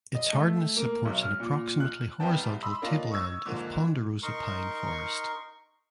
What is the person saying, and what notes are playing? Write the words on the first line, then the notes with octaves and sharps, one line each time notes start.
Its hardness supports an approximately horizontal tableland of Ponderosa Pine forest.
D#5
A3
A#3
B1
F6
A#2
F#6
F1 C2 G3 B3 G5 A5
B5 C6 D#6 E6
A#3 C#4 D4 F4 D#5
C#6 D#6 E6 G#6
G#2 D3 F3 A#3
D#4 A#4 C6 C#6